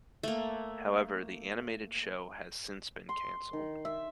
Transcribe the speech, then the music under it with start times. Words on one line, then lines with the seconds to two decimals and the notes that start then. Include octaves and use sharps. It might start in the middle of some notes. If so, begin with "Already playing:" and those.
However, the animated show has since been cancelled.
0.23 A3 A#3
3.09 C6
3.53 D#3
3.85 E5